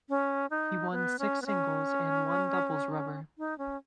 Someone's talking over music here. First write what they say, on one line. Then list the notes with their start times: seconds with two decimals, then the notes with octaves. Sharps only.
He won six singles and one doubles rubber.
0.09 C#4
0.50 D#4
0.91 B3
1.19 C#4
1.42 B3
1.46 C#4
3.38 D#4
3.58 C#4